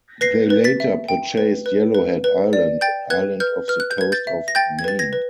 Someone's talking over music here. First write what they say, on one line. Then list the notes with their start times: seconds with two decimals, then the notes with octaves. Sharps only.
They later purchased Yellowhead Island, an island off the coast of Maine.
0.21 B4 A#6 C7
0.50 B4
0.64 A6 B6
0.80 E5
1.08 G5
1.37 B4
1.66 B4
1.95 B4
2.24 B4
2.53 D5
2.81 G5 G6 A6
3.10 B4 F#6 G#6
3.40 B4 F6 G6
3.68 B4 F6
3.80 F#6
3.91 G6
3.98 B4 G#6
4.12 G6 A6
4.27 E5
4.48 A#6
4.55 G5 G6 A6
4.79 G#6
4.84 B4 A6
4.99 G#6 A#6
5.13 B4